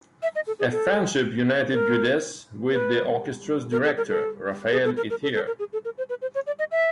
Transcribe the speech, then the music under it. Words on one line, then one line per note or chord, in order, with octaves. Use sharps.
A friendship united Guedes with the orchestra's director, Rafael Ithier.
E5
D#5
A4
G#4
A4
A#4
B4
A#4
A4
A#4
A4
G#4
A4
A#4
A#4
A4
A4
A#4
G#4
A4
A#4
C5
B4
C5
C#5
D5
D#5
E5